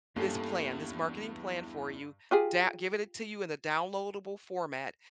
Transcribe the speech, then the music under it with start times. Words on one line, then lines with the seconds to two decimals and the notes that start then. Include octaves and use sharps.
this plan, this marketing plan for you, dow give it to you in a downloadable format,
0.16 E2 G2 A#3 C#4 G4 A4 C7
2.31 F4 G4 G#4